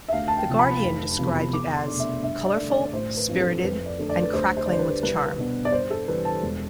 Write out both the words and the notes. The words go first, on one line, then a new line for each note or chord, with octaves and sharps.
The Guardian described it as, 'Colourful, spirited and crackling with charm.
E5
D2 F5
A5
G5
C3 F3
B5
F1
E2 C3 F3
E2 D6
C6
B2 A3 D4
E5
G2 E5
D5
D3 A3
D5
A1 C5
B4
G2 F3 C4
A4
F2 B4
D5
D3 A3 D4
D5
B4
D2 C5
C5
D5
D3 G3 C5
B4
C2 B4
B4
B2 B3 D4
D5
G2 C5
A4
E3 G3 D4 B4
A5
E1